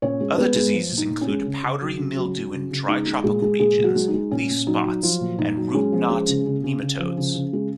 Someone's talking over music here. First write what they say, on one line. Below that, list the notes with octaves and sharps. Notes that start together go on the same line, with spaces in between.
Other diseases include powdery mildew in dry tropical regions, leaf spots, and root-knot nematodes.
A#2 C#4 C#5
G#3
G#3 B3 B4
G#3
F3
A#2
D#4
A#2
C#4
G#3
C#3
C#3
F#3
C#3
F#3
F#3
C#3
C#3
G#3 D#4
G#3
A#2 G#3 G#4
G#3
A#2 G#3 G#4
A#2
F#3 F#4
G#3
D#4
G#3
A#2 C#4
A#2
F#3 D#4
F#3
F3 F#3 F4
A#2
A#2 D#4
F#3
G#3 C#4
F3
G#3
C#3
C#3
C#3
C#3
F3
C#3
C#3
G#3